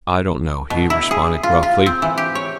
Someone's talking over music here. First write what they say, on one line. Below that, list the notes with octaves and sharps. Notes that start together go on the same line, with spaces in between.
"I don't know," he responded gruffly.
B2
E4
G#4
F4
F4
C4
E3
G4
C#5